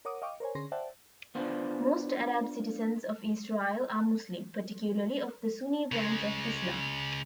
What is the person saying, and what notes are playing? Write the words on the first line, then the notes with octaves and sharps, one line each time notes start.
Most Arab citizens of Israel are Muslim, particularly of the Sunni branch of Islam.
A#4 C#5 F#5 D6 D#6
D#5 F5 G5 C#6 D6
A#4 C5 C#5 G#5
D3 C#4 G#4 C6 A#6
C5 D5 E5 F#5 G5 A5
B3 D4 F4 C5
C#3 G#3